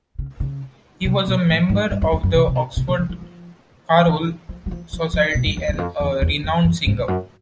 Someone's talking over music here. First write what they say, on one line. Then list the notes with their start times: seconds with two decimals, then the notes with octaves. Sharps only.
He was a member of the Oxford Choral Society and a renowned singer.
0.19 C#3
0.40 C#3
1.05 C3
1.27 B2
1.49 A2
1.69 G#2
1.91 G2
2.02 F2
2.12 F2
2.23 F#2
2.34 C3
2.48 C3
2.55 B2
2.77 C3
2.88 C3
2.98 C#3
3.09 F3
3.21 F3
4.07 E3
4.49 F3
4.66 F#3
4.71 F3
4.93 F3
5.13 F3
5.35 B2
5.46 F#2
5.57 F2
5.68 F2
5.73 E2
5.78 F2
6.00 E2
6.22 E2
6.44 F2
6.64 F#2
6.86 G#2
6.99 F2
7.08 F#2